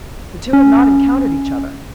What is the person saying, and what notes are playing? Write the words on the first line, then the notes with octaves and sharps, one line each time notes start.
The two had not encountered each other.
C#4